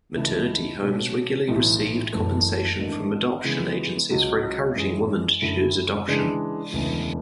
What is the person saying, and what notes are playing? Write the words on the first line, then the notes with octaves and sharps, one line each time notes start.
Maternity homes regularly received compensation from adoption agencies for encouraging women to choose adoption.
C#2 C#3 E3 A3 E4
B2 A3 C#4
B1 A2 E3
F#1 F#2 E3 A3
G#1 G#2 E3 A3 D4
C#3 E3 G#3 B3
C#2 C#3 F#3
F#2 E3 G#3 C#4 G#4
F#2 D3 A3 E4
C#3 E3 G#3 D4
E1 D2 C#3 E3